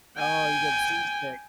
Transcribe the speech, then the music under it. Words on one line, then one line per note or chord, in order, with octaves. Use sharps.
Oh, you get seasick.
G5 G#5